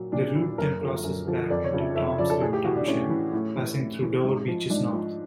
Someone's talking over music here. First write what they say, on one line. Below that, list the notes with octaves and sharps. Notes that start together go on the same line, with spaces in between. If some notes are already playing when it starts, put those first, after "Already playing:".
The route then crosses back into Toms River Township, passing through Dover Beaches North.
Already playing: A#2 F#3
A#2 D4
F#3 E4
F#2 A#4
D3 F3
F#2
D3 F3
F2 D5
C#5
C#3 F3
E5
F2 E5
E5
C#3 F3 D5
A4
A2 G#4
G4
E3 F#4
D4
A2 C#4
E3
A2
E3
A2
E3
G#2
F3
G#2 D4
F3